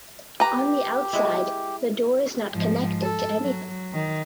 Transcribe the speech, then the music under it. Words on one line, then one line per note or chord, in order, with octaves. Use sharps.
On the outside the door is not connected to anything.
G4 B4 A#5
G#3 E4
G#2 F3
A4
F#3
D#3